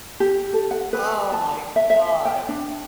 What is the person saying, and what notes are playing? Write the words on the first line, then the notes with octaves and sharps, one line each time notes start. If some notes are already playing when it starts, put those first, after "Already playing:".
Oh, my god,
G4
A4
F#5
B4
A5
E5
E5
G5
D4